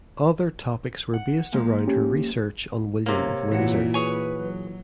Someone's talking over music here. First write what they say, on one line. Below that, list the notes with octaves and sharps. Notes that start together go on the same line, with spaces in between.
Other topics were based around her research on William of Windsor.
F#5
F3 G#3 A#3
C#4 G4
C3 A#3 C#5
A#2 E3 E4 F#4
G#4 B4 C#5 G#5
F#3